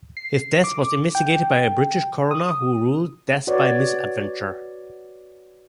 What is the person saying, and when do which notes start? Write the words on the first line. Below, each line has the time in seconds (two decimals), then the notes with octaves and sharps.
His death was investigated by a British coroner who ruled 'death by misadventure'.
0.17 C7
0.64 D6
1.15 G5
2.31 D#6
3.47 F#4 B4 C#5 D5